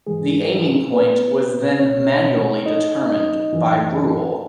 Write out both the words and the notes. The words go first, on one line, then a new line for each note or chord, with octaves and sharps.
The aiming point was then manually determined by rule.
G#2 E3 G#3 G#4
B3 B4
C#2 B2 C#4 C#5
D#4 D#5
D#4 D#5
F#2 E3